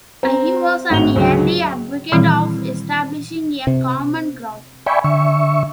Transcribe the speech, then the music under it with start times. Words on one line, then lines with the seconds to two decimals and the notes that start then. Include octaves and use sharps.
Agee was an early advocate of establishing a common ground.
0.23 C4 A#5
0.90 G#1 A2 F#4 F7 G7
1.16 C#2 D3 F#3
2.12 A#2 D#3 E3 G3 C4 E4
3.67 C3
4.86 D5 E5 G5 G#5 B5 C#6
5.04 D3 E5 C#6